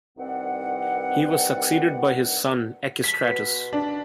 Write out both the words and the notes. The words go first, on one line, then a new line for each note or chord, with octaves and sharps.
He was succeeded by his son Echestratus.
C2 D#3 C4 B4 D5 F#5
B6
B2 G#3 G#4
D4